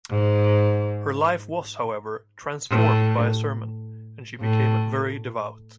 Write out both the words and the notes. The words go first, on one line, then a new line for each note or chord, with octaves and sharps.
Her life was, however, transformed by a sermon and she became very devout.
G#2
A2
A2